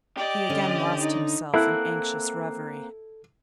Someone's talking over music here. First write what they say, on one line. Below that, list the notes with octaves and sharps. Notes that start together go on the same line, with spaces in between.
He again lost himself in anxious reverie.
G4 D5 D#5
D3 C#4
D#4
A#3 C4 E4 A4 F#5